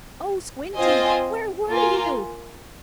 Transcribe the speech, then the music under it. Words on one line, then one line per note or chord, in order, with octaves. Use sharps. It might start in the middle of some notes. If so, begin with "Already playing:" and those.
"Oh, Squinty, where were you?"
C4 F4 C5 D#5 G#5
A#3 F4 A#4 G#5